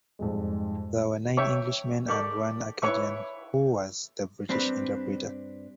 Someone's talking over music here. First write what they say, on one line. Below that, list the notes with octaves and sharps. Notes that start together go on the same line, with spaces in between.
There were nine English men and one Acadian who was the British interpreter.
F2 G#2 G3 G#3
C#5 E5 G5
G4 A4 A#4 D5 C#6 D6
E4 B4 C#5 E5 C#6
G2 C4 D4 B4